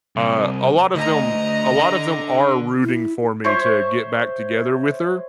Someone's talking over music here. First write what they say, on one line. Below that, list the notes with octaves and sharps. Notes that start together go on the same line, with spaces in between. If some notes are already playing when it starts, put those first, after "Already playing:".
Uh, a lot of them a lot of them are rooting for me to get back together with her.
C2
D2 D#5 A#5
D3
E4
C5 C#5 E5 C#6